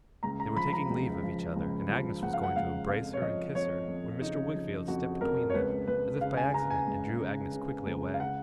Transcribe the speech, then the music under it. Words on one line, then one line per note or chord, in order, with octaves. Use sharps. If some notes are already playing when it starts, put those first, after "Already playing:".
They were taking leave of each other, and Agnes was going to embrace her and kiss her, when Mr. Wickfield stepped between them, as if by accident, and drew Agnes quickly away.
C#2 A#5
A#5
F3 B5
A#5
C#2
F3
C#2
F3
C#2 F#5
F5
F#5
C#2 F5
F2 F5
C#5
F3 D#5
F2 C#5
F2
C#3 D#4
F3
F2 F#4
F2 A#4
C#5
C#2 B4
C#2 B4
C#3 F5
G#5
C#3 A#5
G#5
C#2
C#3
C#3
C#2
F5
C#3 F#5